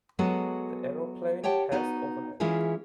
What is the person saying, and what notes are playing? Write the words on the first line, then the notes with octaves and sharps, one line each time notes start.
The aeroplane passed overhead.
F#3 G#3 B3 F#4 A4 F#5
G4 C#5 F#5 G5 A5
B3 D#4 F#4
E3 G#3 C#4 E4 F4 G#4